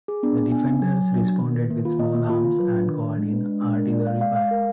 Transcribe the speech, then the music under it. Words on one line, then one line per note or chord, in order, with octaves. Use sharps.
The defenders responded with small arms and called in artillery fire.
G#4
B3 D4
D4
G#5
G#5
F#3 G#5
G#5
D4
F#4
D#3 A#3
B4
A#3
F4
D#5
A#3
F4
F4
F#3 B4
D4
D#3 D4
D4
G#3 D4
B4
D4
D4
A#4
D5
F5
F5
F5
A#4